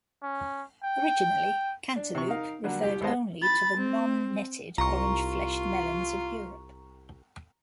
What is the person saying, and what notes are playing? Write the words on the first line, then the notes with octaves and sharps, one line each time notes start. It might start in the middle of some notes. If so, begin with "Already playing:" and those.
Originally, "cantaloupe" referred only to the non-netted, orange-fleshed melons of Europe.
C#4
G5
D4
C3 C#6
D#4 A#4 F5
D3 F#3 G3 A#3
C2 G4 G5
G#1 G#3 B3 C5 D#5 A5
B5 A6
C4
C2 F4 A#5 C#6